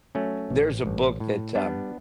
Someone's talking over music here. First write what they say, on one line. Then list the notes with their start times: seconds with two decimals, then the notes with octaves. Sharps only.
there's a book that, uh,
0.15 F#3 A3 C#4
0.50 A1
0.86 A1
1.20 A2
1.55 G3 B3 D4